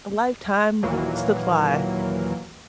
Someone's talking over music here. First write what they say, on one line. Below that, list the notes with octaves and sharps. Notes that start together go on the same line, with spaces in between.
A lifetime supply.
D#2 A#2 E3 F#3 A#3